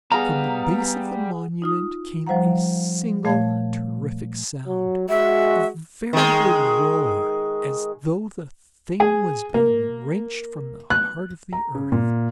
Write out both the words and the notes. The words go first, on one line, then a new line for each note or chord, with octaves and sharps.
From the base of the monument came a single terrific sound, a veritable roar, as though the thing was being wrenched from the heart of the earth.
G3 B3 G#4 F5 F#5 A#5
D#4 F4 D#6
F3 G3 C5 F5 F#5 A#5
A#2 A3 C#5 F5 A5 G#6
F#3
G#3 F#4 E5
D#3 G#3
G#4
A#3
F#6
A#5
C#3
A#2